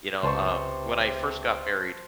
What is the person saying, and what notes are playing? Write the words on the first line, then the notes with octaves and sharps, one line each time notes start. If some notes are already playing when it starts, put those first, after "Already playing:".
You know, um, when I first got married,
C#2 C3 B4 C5 A5 C#6